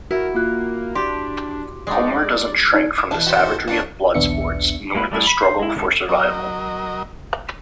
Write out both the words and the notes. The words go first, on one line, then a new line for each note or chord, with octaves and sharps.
Homer doesn't shrink from the savagery of blood sports nor the struggle for survival.
E4 F#4 A#4
A#3 F4 F#6
D4 G4 C6
G#3 D#4 D5
D#4 D5 G#6
E4
B2 E3 D4 E4 A4
F#4 G4 A4 C5
D#4
A#3 C#4 D4 F#4 B4 D5 A5 B5
A#1 D#2 B3 D4 E5 C#7
G#3 A#3 E4 B4
G3 A3 E4 G#4
B5
C5
G#3 E4
D#3 G#3 C#4 D#4 A4
F#3 A#4 D#5